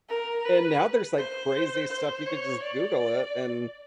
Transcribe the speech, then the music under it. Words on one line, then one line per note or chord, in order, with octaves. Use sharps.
and now there's, like, crazy stuff, you could just Google it and,
A#4
B4
C5
C5
C#5
D5